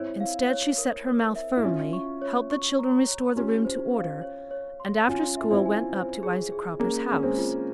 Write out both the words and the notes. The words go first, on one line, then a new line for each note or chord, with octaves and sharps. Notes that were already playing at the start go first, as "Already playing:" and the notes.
Instead she set her mouth firmly, helped the children restore the room to order, and after school went up to Isaac Cropper's house.
Already playing: C4 E4 C#5
F5
C#5
A#4
A#4
E5
E4
C#4 F4 E5
C#6
C#5
C#6
A#5
C#5
C#4 F4 G4
C5
F5
C#5
C#5
C6
C#4 F4 G#5
F4 E5
C4 E4
G#5
C5
G#4
G#4
A#3 C#4 G#4
C#4 G#4
G#3 C4
F4